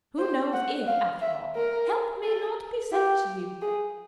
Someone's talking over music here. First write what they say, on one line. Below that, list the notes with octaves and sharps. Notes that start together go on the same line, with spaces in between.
Who knows if, after all, help may not be sent to you?'
C5
F#5
F5
E5
A#4
A4
G4
G#4